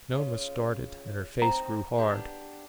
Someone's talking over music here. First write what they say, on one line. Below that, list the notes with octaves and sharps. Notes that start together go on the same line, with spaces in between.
Noma started, and her face grew hard.
C#3 F4
C4 D#4 A#5
B3 D4 G4